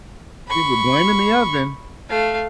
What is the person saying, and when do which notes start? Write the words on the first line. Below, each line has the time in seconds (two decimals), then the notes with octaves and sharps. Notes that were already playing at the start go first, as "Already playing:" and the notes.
see, we're blaming the oven.
0.47 B5 C#6
2.09 A3 F5